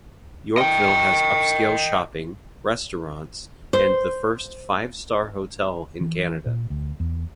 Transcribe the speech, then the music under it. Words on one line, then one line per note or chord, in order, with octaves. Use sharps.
Yorkville has upscale shopping, restaurants, and the first five star hotel in Canada.
D#5 G5
C5
E3
A#2
D2
E2